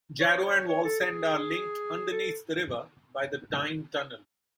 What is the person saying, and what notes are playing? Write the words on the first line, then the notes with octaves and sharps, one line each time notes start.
Jarrow and Wallsend are linked underneath the river by the Tyne Tunnel.
C#5
C#5
C#5
A4
G#4
A4